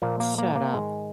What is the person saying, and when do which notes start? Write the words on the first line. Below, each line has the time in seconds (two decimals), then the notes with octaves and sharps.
Shut up.
0.02 A#2 F3 A#3
0.20 A#3
0.38 A#3
0.56 A#3
0.74 G#2 D#3 G#3